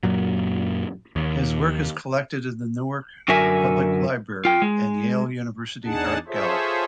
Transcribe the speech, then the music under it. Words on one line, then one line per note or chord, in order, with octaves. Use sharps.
His work is collected in the Newark Public Library and Yale University Art Gallery.
F#2 A#2 F#3
D#2
F#2 D3 F#4 A#4 E5 G#5
F4 G5
G#3
E2 D4 D#4 G#4 F#5 A5
F4 G#4 A4 C5 C#5 E5